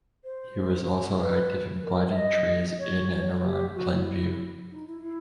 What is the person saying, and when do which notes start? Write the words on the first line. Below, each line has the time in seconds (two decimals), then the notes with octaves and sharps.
He was also active in planting trees in and around Plainview.
0.24 C5
1.20 B4
1.84 A#4
2.10 E5
2.15 D#5
2.79 C#5
3.44 G4
3.75 F#4
3.91 E4
4.71 D#4
4.86 E4
5.02 E4